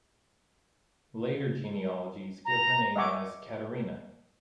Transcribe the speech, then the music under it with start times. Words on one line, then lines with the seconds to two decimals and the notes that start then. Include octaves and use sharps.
Later genealogies give her name as Katarina.
2.45 A#5
2.96 D#5 E5 F#5 G#5 C#6 D6